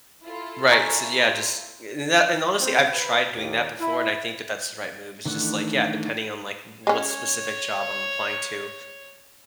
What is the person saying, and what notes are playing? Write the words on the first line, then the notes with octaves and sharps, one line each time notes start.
Right, so, yeah, just a and that and, honestly, I've tried doing that before, and I think that that's the right move, it's just, like, yeah, depending on, like, w w what specific job I'm applying to,
E4 F4 A4
G#5 A#5 C#6
C4
B4
D#2
E4
D#3 E3 A3 D4 F#5
G#3 C#4 C#5